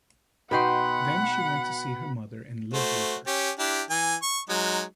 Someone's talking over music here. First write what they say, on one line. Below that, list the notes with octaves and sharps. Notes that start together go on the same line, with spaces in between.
Then she went to see her mother and lived with her.
B2 D#4 F#4 B4 F#5 G5 B5 C6
A3 F#4 C5
C#4 G4
D4 E4 G4
E3 G#5
C#6
F#3 G#3 D#4